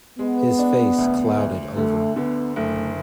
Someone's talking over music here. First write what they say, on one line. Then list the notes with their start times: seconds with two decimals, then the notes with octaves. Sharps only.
His face clouded over.
0.19 G#3 B3
0.59 D4
0.98 D2
1.38 D2
1.76 D3 A3
2.16 D3 B3
2.56 F#1 A3